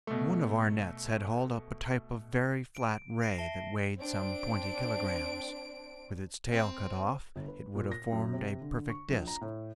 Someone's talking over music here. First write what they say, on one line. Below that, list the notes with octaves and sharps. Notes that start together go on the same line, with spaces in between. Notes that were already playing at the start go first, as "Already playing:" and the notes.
One of our nets had hauled up a type of very flat ray that weighed some twenty kilograms; with its tail cut off, it would have formed a perfect disk.
B2 A3
D7
A#6 C7 D7
E5 A5 G7
C4 D4 D7
C4
G1
B4
A#2
A#6
F#2
C3
D3
C#6
A#1
A#5
A2